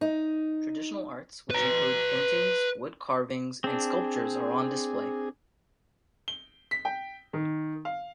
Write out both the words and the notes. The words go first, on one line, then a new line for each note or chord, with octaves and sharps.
Traditional arts which include paintings, wood carvings, and sculptures are on display.
D#4
B4 A#5
C4 D4 G#4
G7
B6
G5
D#3
F5